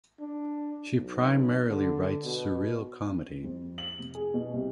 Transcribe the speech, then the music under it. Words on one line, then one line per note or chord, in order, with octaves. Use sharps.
She primarily writes surreal comedy.
D4
B1
D3
B2
F2
F#7
F1
G#4
B2
C2